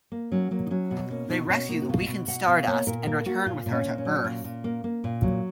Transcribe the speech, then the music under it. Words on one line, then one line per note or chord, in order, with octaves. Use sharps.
They rescue the weakened Stardust and return with her to Earth.
A#3
F#3 C#4
F#3 A#3
D#4
F#3 C#4
B2 F#4
A#3 C#4
B2 D#4
B2 C#4
A#3 D#4
F#4
B2 F4
B2
B2 F#5
B2 F5
A#3 C#5
A#2 A#4
A#3 A#4
A#3 F#4
A#2 F4
A#2
C#4
A#2
C#4
F#3
A#2
A#2
A#3
A#3
A#2
F#3